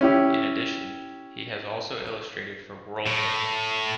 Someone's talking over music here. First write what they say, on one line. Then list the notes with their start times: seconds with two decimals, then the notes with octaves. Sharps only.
In addition, he has also illustrated for World Book.
0.01 C#4 E4 G4
3.07 A2